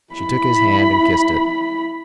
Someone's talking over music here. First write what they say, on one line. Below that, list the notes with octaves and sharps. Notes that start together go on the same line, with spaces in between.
She took his hand and kissed it.
E4 B5